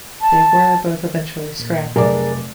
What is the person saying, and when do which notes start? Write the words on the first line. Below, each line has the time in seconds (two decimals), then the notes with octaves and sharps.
They were both eventually scrapped.
0.21 A5
1.60 A#2
1.96 F1 F#3 G#4 A#4 D5